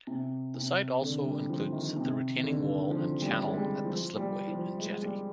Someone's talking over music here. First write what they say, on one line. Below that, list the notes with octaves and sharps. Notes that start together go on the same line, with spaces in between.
The site also includes the retaining wall and channel at the slipway and jetty.
C3
C3
D3
G3
F3
D#3
C3
D#3
D3
F3
G3
G#3
G3
F3
G3
F3
G#3
G3